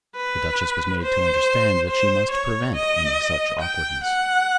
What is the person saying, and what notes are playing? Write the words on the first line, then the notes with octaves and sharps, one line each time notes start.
The Duchess was made to understand that she must prevent any such awkwardness.
B4
C5
C5
C#5
D#5
G5
F#5